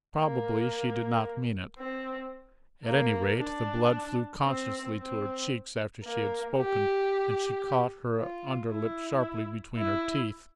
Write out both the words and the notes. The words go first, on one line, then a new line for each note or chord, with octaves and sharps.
Probably she did not mean it; at any rate the blood flew consciously to her cheeks after she had spoken, and she caught her under lip sharply between her teeth.
A#3
C4
A#3
D4
C4
C4
A#3
G4
F4
E4
E4